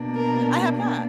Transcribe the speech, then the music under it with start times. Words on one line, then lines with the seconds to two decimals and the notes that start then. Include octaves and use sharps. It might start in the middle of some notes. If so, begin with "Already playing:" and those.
I have not.
Already playing: B2 A#3 D4
0.15 A#4